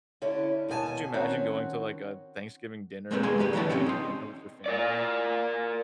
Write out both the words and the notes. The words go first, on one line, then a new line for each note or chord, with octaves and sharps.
oh could you imagine going to, like, a Thanksgiving dinner or, like, having a dinner with your family
D3 C#4 E4 G4
D#2 B2 F#4 G#5 A5
D#3 C4 C#4 F#4
G#3 A#3 C4 D#4 G4 B4
D#2 B2 G#3 A#3 G#5 C6
D#3 G4 B4
D3 E3 F#3 E4 C#5 A5
C4 C#4 G4 C#5
D#4 C6
A#4 D5